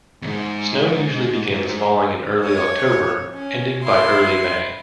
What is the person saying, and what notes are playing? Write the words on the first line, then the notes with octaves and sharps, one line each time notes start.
Snow usually begins falling in early October, ending by early May.
E2 G#2
C#5
C#4
E4 C6